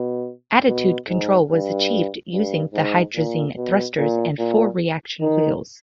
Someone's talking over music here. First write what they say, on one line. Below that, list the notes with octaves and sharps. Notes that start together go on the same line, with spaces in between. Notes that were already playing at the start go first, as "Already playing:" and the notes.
Attitude control was achieved using the hydrazine thrusters and four reaction wheels.
Already playing: B2
B2
G#2
G2
G2
G#2
A#2
B2
A#2
A#2
D#3